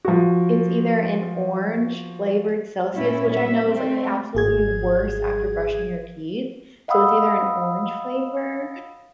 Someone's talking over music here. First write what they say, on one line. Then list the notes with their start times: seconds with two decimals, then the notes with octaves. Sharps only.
it's either an orange flavored Celsius which I know is, like, the absolutely worst after brushing your teeth, so, it's either an orange flavor
0.05 F3 F#4
2.94 A#2 A3 C#4 E4
3.33 G3 E5
3.66 A3 C4
4.35 G#1 G#4 G#6
6.88 D#5 F5 F#5 B5 D#6 E6